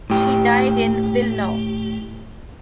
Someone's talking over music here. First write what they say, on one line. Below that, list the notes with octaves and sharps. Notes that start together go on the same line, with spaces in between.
She died in Wilno.
A2 G4